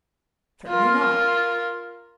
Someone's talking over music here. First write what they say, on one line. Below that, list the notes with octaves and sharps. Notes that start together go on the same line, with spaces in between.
"Certainly not."
F4 A#4